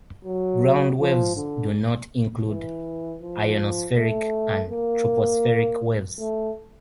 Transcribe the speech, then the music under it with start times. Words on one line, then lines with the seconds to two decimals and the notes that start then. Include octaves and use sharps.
Ground waves "do not" include ionospheric and tropospheric waves.
0.25 F#3
1.00 F3
1.36 D3
2.48 E3
3.22 F3
3.96 A3
4.70 A#3
6.19 A3